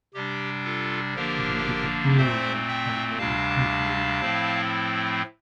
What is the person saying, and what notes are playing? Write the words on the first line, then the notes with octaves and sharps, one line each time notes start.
There is a brewery and many printeries.
C3 G3 D4 G4
F4 A4
D3 F3 A#3 D4 G4 A#4
A#2 A3 C4 C5 E5
E5 G5
D2 C3 G3 D4 F5 A5
A2 F3 A3 C4 E4